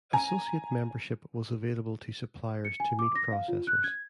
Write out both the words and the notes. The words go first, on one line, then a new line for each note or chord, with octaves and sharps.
Associate membership was available to suppliers to meat processors.
G#5 A#5
C#7
G#5
D6
A#6
F5
F4
F#6
G#6